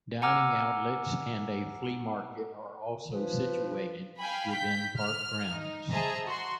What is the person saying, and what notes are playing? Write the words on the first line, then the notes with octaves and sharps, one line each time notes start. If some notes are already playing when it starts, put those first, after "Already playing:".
Dining outlets and a flea market are also situated within park grounds.
F#5 G#5 A#5 D6 E6 F6
F3 B4
F5 G5 G#5 B5
G6 B6
F6
D#4
G#4 C5 D#5 E5 A5 A#5
F#4 C6